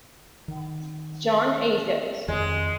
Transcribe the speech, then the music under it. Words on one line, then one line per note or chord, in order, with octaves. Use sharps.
John A. Dix.
D#3
F2 D#3 G#3